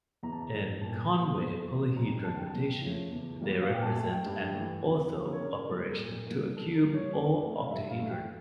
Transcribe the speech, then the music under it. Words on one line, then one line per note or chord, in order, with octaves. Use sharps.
In Conway polyhedron notation, they represent an "ortho" operation to a cube or octahedron.
E2 A#5
A5
A#5
E3 A#3
A#2 A5
G3 A#3
E2
E3 A#3
F2 A#5
D3 G3 A5
G5
A5
E2
C#3 F3 A3
E2
E3 G3 A#3
F5
A#2 G5
A5
A3 A5
G5
G2
E3 A3
F2
D3 F3 A#3
C#5
C#3 A#4
A#4
G3 A#3 A4
A#4
A#2
G3 A#3
C#3 A4
A#4
G3 A#3
C#5
F2 D5
C#3 E3 A3
F5
G2 E5
F5
E3 A3
G5